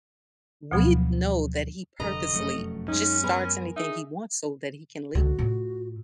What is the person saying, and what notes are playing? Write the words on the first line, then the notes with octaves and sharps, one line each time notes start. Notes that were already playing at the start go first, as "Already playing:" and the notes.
we know that he purposely just starts anything he wants so that he can leave.
D2 B2 F3 F#3 B3
F1 D3 D#5 A#5
F1 F#2 A3
F#2 G#3 C#4 D#4
B3 A#4 G#5 B5
D#4 G#4 E5
C#2 D3 F#4
A2 F4